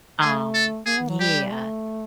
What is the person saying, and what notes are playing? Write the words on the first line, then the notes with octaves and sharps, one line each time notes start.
Um, yeah.
A3 G#4
A4
A#3 G#4
B3
F#3
G3 G4
A3